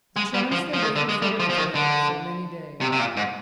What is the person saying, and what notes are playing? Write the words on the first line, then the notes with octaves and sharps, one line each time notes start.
The chance they waited for occurred before many days.
G#3
G3
F3
F3
D#3
D3
G#3
G3
F3
F3
D#3
D3
C3
C3
A#2
G#2